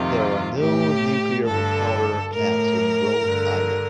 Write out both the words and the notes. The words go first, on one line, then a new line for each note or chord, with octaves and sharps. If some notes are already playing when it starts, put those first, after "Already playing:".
There are no nuclear power plants in Rhode Island.
Already playing: F2 C3 D#3 F4
A2 G4
G2 D3 A4
A2 A#4
G2 D3